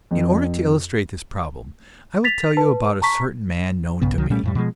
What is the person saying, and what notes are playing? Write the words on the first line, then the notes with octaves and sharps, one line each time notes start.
In order to illustrate this problem, I will tell you about a certain man known to me.
F2
A6 B6 F7
B4 A5
A5 A#5 C#6 B6
B1 G2 C#3 B3
C2 D#3 F#3
A#2 G3 A3 C#4
F2 A2 G3
B2 F3 G#3